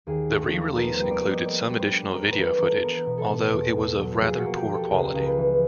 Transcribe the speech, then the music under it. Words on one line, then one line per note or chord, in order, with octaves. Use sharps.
The re-release included some additional video footage, although it was of rather poor quality.
D#2 G#4
A3
A4
F3
B3 A#4
G3 C5
D5
G3
D#5
A#3 D5
G3
C5
D4
A3 A#4
B4
E3
A#4
E3
A4
B3 A#4
B2
A4
B2
E2
E2
F#3
F3 G#4
F#4
A#3
G4
F3
A4
C#2 A#4
C#2
B4
E3